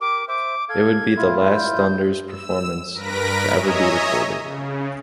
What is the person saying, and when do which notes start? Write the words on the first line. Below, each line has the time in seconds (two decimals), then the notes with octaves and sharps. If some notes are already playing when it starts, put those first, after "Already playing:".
It would be the last Thunders performance to ever be recorded.
0.01 G4 A#4 D6
0.28 C5 E5 D6
0.69 A4 F5 G#6
1.17 E4 F4
1.56 G6
2.26 E6
2.94 G2 A#4 B4 A#6 B6 D7
3.52 C#5 D#5 E5 G#5 A#5 D#6
4.41 C#3